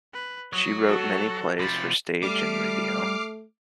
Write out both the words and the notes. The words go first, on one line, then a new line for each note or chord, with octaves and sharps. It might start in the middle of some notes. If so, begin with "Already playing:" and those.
She wrote many plays for stage and radio.
B4
F#3 D#6
F#4 A4
C3 F3 B5 A6
G3 A3 D6 F6 C7